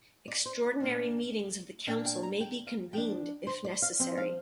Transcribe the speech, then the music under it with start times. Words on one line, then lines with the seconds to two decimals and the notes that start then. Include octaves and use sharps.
Extraordinary meetings of the Council may be convened if necessary.
0.28 D5
0.46 C5
0.80 A#2 A#3 D4
1.87 A#2 A#3 D4 G5
2.05 G5
2.23 A#5
2.40 G5
2.67 F5
2.93 F3 G5
2.97 D4
3.47 C5
3.64 D5
3.82 F5
4.00 F3 C4 G5
4.17 F5